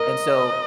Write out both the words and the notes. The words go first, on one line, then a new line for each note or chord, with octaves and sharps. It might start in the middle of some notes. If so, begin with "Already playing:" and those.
And so,
Already playing: A#4 D#5